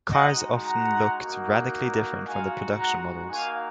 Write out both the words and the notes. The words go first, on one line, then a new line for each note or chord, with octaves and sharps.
Cars often looked radically different from the production models.
G#3 D#4 F#4 D#5 F#5
F#5 A#5
A#3 D#4 F#4
G#3 D#4 F#4 F5 G#5
F#5 A#5
A#3 D#4 F#4 F5 G#5